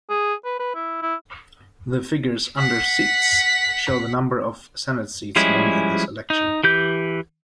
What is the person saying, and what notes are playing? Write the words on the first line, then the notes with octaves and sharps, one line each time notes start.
The figures under "Seats" show the number of Senate seats won at this election.
G#4
B4
B4
E4
E4
F#5 B6
F3 G3 G#3 C#4 E4
D#4
E3 G4 G6